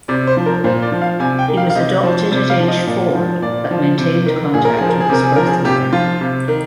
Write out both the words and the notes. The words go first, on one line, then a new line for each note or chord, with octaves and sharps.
He was adopted at age four but maintained contact with his birth mother.
C3 D5
C5
F3
A#4
A#2 C5
D5
F3
F5
C3 G#5
G5
D#3
F5
F5
C3 D#5
F3 C5
C3 D5
F5
F3
D#5
A#2 D5
F3
A#2 D5
F3
C3
D#3
A#2 G#4
A#4
F3 G#4
A#4
G#4
C3 A#4
G#4
F3 A#4
G#4
C3 G4
F3 F4
C3
D#3